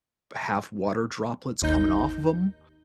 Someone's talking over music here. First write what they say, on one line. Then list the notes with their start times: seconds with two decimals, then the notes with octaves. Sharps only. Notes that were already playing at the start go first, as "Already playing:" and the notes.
have water droplets coming off of 'em.
1.62 G#1 D#2 D#4 G6